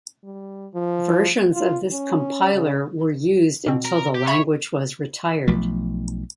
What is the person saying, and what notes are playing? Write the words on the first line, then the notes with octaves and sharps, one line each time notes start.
Versions of this compiler were used until the language was retired.
G3
F3
F4
C#4
C#3
B2 C4
A#4
G4
C#5 E5 B5
B1 F3 A3